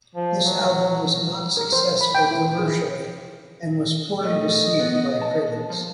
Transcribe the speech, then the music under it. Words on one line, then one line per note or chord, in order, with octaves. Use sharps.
This album was not successful commercially and was poorly received by critics.
F3
F#3
A#4
C5
B5
G5
E4
G#4
A3 D#5
B3
A5
F3